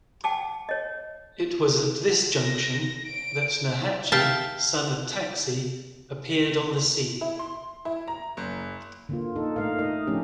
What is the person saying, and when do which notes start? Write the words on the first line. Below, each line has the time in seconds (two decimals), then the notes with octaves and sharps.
It was at this junction that Nurhaci, son of Taksi, appeared on the scene.
0.24 F#5 G5 A5 D6
0.69 C#5 D#5
2.36 A#6
3.07 D7
4.12 E5 F5 G5 A5
7.21 E4
7.39 C6
7.85 E4
8.08 A#5
8.37 F#1
9.09 D3 A#3 F4
9.36 D#4 A4
9.56 A3 A#4 F5
9.79 A3 D#4 D#5
10.07 F3 A3 C#4 D4 G4